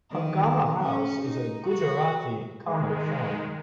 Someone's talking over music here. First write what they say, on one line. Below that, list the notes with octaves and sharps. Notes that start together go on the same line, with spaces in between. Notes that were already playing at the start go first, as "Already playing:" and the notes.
Hungama House is Gujarati Comedy Film.
D#3
C#4
D#4
F#4
D#3 G#3